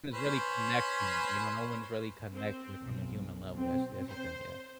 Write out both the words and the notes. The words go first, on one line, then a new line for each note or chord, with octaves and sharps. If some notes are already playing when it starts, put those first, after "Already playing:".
Is really connecting, you know? No one is really connected, like, on a human level. That's that's the thing, yeah.
C#4 B4 C5
C4
B1
C4
C5